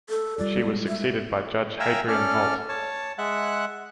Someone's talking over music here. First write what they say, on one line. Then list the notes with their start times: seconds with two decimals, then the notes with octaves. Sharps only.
She was succeeded by Judge Hadrian Volt.
0.10 A4
0.38 G3 F4 A4 D5
0.57 G#3 B3
0.88 E5
1.80 E5 F5 G5 G#5 A#5 E6
2.08 C#4 A4 D5 F6
2.69 C#5 A5
3.18 G#3 E5 F#5 F#6